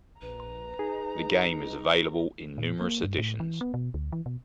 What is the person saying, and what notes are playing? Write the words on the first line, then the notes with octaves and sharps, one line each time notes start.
The game is available in numerous editions.
A#1 B4 A#5
D#4 G#4
A#2
A#3
G2
A2
E3
B3
B2
D2
E3
B2